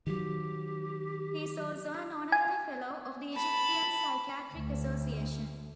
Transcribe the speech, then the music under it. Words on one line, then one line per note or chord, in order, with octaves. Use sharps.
He is also an Honorary Fellow of the Egyptian Psychiatric Association.
D#3 F#3 G4
G#5
A5 B5
D2